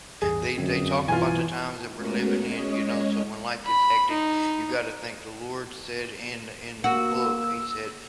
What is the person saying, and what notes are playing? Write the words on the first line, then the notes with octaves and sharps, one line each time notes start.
They they talk about the times that we're living in, you know, so when life gets hectic, you gotta think the Lord said in in the book, he said
A1 E2 G2 G#4
F1 F#2 D3 C4
B1 G2 B2 E3 F4 G#5
G#3 A3 B3 C#4 F#4 A#4
G#3 C#4 C#5 D#5
B5
D#4
A#3 F#4 E6